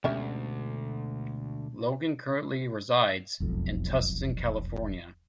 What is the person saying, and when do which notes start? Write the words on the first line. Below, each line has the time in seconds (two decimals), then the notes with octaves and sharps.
Logan currently resides in Tustin, California.
0.04 D2 B2 D3 G3 G#3 C#4 E5
3.40 E1 B1 F2